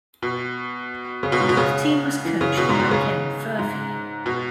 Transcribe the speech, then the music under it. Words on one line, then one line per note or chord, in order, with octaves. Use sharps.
The team was coached by Ken Furphy.
B2
C#3
B2
G#2
B2
C#3
E3
C#3
B2
G#2
B2
C#3
G#2
B2